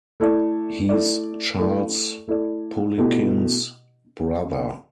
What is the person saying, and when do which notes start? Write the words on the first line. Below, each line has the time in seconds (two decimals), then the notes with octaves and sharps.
He's Charles Poliquin's brother.
0.20 A3 E4 A4 D5
0.89 A3 E4 A4 D5
1.59 A3 E4 A4 D5
2.27 A3 E4 A4 D5
2.98 B2 A3 E4 G4